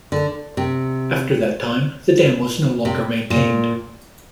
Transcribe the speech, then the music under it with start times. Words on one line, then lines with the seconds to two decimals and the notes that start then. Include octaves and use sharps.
After that time, the dam was no longer maintained.
0.12 D3
0.57 C3
2.85 C3
3.30 A#2